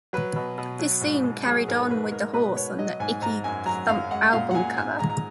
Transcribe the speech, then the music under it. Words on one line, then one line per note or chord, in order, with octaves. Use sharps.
This theme carried on with the horse on the Icky Thump album cover.
F#3 B4
B2
B2
F#3
G#2
G#2
F#3 G#4
G#2 A#4
G#2 B4
G#3 A#4
B2 B4
B2 C#5
F#3 D#5
G#2 G#5
G#2 A#5
F#2 G#5
F#3 A#5
F#2 F5
G#3 F#5
A#2 F5
F#5
A#2 G#5
G#2 G#5
G#3 A#5
A#5